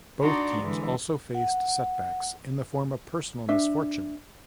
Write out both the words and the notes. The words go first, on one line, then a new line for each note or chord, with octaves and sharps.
Both teams also faced set backs in the form of personal misfortune.
D4 D#4 F#4 D5 A#5 C6
D3 E3 G#3
F#5
D4 E5